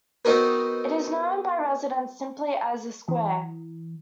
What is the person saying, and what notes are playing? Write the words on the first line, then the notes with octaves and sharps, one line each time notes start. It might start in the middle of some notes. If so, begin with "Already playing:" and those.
It is known by residents simply as "the Square".
B3 C4 D#4 F#4 A#4 B4
E3